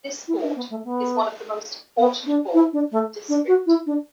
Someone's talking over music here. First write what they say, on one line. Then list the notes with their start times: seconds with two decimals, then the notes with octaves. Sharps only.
This fort is one of the important forts in the district.
0.28 E4
0.43 D4
0.56 B3
0.70 A3
0.84 B3
1.97 B3
2.26 D4
2.54 E4
2.73 D4
2.91 A3
3.29 D4
3.47 F#4
3.66 E4
3.86 D4